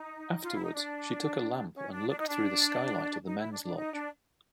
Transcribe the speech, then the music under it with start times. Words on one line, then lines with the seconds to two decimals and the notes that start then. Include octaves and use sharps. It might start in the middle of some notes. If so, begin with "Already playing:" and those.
Afterwards, she took a lamp and looked through the skylight of the men's lodge.
Already playing: D#4
0.42 F4
0.53 E4
0.63 D#4
0.74 D4
1.74 C#4
1.91 D4
2.08 D4
2.18 D#4
2.28 D4
3.26 D#4
3.38 E4
3.51 D4
3.63 D4
3.76 D#4
3.93 D4